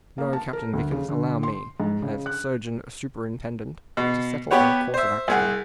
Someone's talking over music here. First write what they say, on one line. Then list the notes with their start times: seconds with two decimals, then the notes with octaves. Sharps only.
No, Captain Vickers, allow me, as surgeon-superintendent, to settle our course of action.
0.18 A#3
0.33 A5
0.53 A#4
0.73 D2
0.92 C#3
1.09 D3
1.43 C6
1.80 G#2
2.02 C#3
2.26 F#6
3.97 B2
4.51 B3 G4 B4 C#5 F#5
4.94 C5 E5
5.28 C2 G#4 F#5